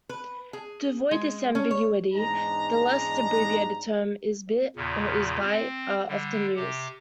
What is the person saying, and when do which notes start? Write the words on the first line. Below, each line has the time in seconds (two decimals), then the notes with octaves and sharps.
To avoid this ambiguity, the less abbreviated terms "lsbit" or "lsbyte" are often used.
0.09 B4
0.53 G#4
1.11 G#3
1.55 C#4
1.71 C#5
2.14 E2 G#2 G#3 D4 D#4 A#5
4.76 E2 A#2 C#3
5.43 C4
6.08 D3 G3
6.56 C3 G4